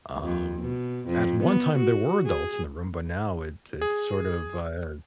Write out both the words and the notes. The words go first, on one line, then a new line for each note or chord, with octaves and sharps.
Um, at one time there were adults in the room, but now it it's sort of, uh
F2
B2
F2
B3
F#4
G#4
G#4